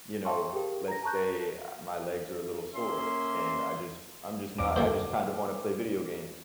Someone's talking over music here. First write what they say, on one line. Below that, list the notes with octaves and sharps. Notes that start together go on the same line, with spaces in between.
you know, let's say I my legs are a little sore, and I just I'm just not I just kind of wanna play video games.
E5 F5 G5 A5 C6 C#6
G4 G#4 A#4 G5
A#5 A#6
A5 A#5 C#6 F#6 G6
A#3 C#4 E5 C6
E2 C4 D6 D7
F#2 F3 A#3 A4 C5